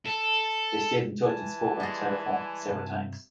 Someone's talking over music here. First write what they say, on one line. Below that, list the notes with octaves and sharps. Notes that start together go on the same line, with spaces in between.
They stayed in touch and spoke on the telephone several times.
A4
E3 G#5 A5
G3 G#3
G2 C3